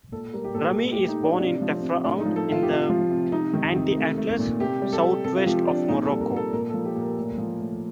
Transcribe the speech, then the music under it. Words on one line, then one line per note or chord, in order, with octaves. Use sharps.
Rami is born in Tafraout in the Anti-Atlas, southwest of Morocco.
A#2 A4
G3 A#4
G4
A#2 A4
A3 A4
G4
A3
D#4
A2
D4
C3 D4
F3
C4
C3
A2 D4
D#4
F3
A4
A2 F4
G4
C3
F4
F3
C3
C3 D#4
D#3
C3
A3
A3
A#2
C3 G4
G3
A4
C3
C3 A4
F4
F3 G4
C3 D4
A#2 D#4
A4
G3
A#4
A#2
A4
A#2 A#4
A4
F3
G4
A#2
A#4
A2
F3
A2